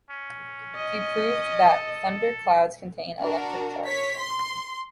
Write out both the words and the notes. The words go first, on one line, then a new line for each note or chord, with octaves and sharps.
He proved that thunder clouds contain electric charge.
C#4
D#5
A4
D4 F#4 A#4
C#5 B6
C6